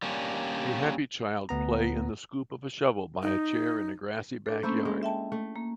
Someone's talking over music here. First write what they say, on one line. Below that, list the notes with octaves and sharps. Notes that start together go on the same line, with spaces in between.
A happy child play in the scoop of a shovel by a chair in a grassy backyard.
G3 A#3 C#4 D4
D2 B3 A#5
D#4
D4 A4
A3 A#3 C#4 E4 C5
G#3
E5 G5 A5
A3
A#3